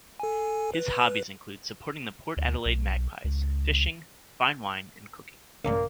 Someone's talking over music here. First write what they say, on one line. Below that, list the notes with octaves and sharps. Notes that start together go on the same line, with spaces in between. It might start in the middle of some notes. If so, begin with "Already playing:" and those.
His hobbies include supporting the Port Adelaide Magpies, fishing, fine wine, and cooking.
A4 G#5
B4
D2
B1
C#2
A1 F#2 A#2 A#3